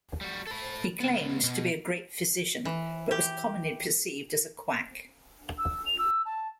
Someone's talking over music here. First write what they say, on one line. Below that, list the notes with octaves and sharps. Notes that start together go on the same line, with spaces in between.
He claimed to be a "great physician", but was commonly perceived as a quack.
G3 F#4
A4 B5
C#2 B3
B2
E3
G4
E6
F7
E6
A5